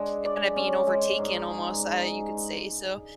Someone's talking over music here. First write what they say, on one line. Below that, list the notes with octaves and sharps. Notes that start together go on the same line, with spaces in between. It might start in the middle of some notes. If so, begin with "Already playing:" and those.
it kinda being overtaken almost, uh, you could say, so
Already playing: G#3 D4 G#4
D5
C#4
G#3
G#2
G#4